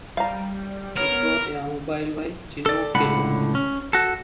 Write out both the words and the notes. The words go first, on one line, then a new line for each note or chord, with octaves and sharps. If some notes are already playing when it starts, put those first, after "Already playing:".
It was airmobile via Chinook helicopter.
G3 F5 A#5
B3 A#4 C#5
A4 D5
C#2 A2 D3 F#5 B5
C#4
F#4 A4